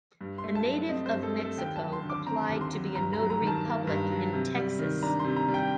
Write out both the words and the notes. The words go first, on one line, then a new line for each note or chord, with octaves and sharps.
A native of Mexico applied to be a notary public in Texas.
G2
C6
A3
A5
F#3
C4 D#5
C5
G2
A4
A3
A4
D#2 G5
A5
F#3
C6
D3
D6
C4 A#5
D#2
C6
F#3
G2 A#5
A#5
F#3
A#5
D#3 A5
A#3
G2
F#3
C3
G3
D#3
D4 A#5
C6
C3
A#5
G3
G5